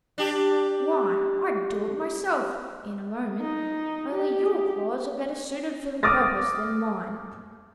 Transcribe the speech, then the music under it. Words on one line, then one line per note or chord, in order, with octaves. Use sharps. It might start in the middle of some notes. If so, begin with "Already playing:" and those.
Why, I'd do it myself, in a moment, only your claws are better suited for the purpose than mine.
D4 G4
D#4
G4
D6 D#6 F6 A6 A#6